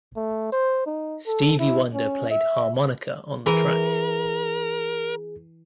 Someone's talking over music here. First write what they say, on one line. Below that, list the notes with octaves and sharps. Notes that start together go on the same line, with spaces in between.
Stevie Wonder played harmonica on the track.
A3
C5
D#4
A4
E4
C#4
E5
E3 G#4 A#4